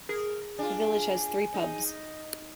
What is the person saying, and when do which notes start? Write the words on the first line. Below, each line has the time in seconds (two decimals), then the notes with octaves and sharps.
The village has three pubs.
0.09 G#4 A#4
0.59 D4 F4 G#5
1.54 D#4